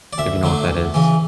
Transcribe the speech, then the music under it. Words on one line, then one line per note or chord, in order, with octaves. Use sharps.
if you know what that is.
D5
D2 E5
D3 F#3 A3
D2
C#3 E3